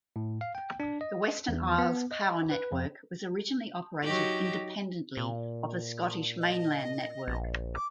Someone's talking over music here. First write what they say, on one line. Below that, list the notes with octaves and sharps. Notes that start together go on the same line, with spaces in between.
The Western Isles power network was originally operated independently of the Scottish mainland network.
A2
F5
G5
D4
D#5
E2
B3
D#5
B4
F2
F#3 D#4 G4
A#2
D#5
A#1
D6